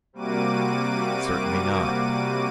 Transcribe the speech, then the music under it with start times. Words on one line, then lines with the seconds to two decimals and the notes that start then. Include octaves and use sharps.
Certainly not.
0.13 C3 G3 A#3 F#4 D6 D#7